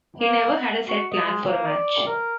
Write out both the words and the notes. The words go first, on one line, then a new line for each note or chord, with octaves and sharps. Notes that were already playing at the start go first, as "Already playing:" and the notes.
He never had a set plan for a match.
A#3
F#5
F#4
D#5
G#3
A#3
D5
A#4